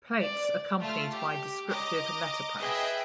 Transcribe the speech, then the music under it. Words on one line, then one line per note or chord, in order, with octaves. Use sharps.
Plates accompanied by descriptive letterpress.
D5
A3 F4 A5 F6
G4
D#5 A#5 D6
G#4 B4 D#5 E5 G5